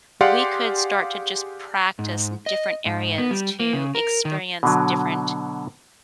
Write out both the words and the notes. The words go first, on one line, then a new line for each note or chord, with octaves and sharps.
we could start to just practice different areas to experience different,
G4 G#4 D5 F5 F#5 C6
G#2
D#5
G#2
B3
G3
A#3
C#3
A#4
D#3
B2 D3 F#3